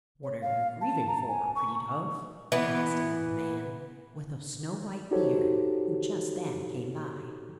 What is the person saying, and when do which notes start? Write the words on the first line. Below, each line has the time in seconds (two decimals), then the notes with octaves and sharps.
"What are you grieving for, pretty dove?" asked an old man, with a snow-white beard, who just then came by.
0.23 C#5
0.42 F5
0.81 A5
1.08 A#5
1.28 G#5
1.56 C#6
2.52 E3 B3
5.11 D#4 F#4 G4 A4 C5 C#5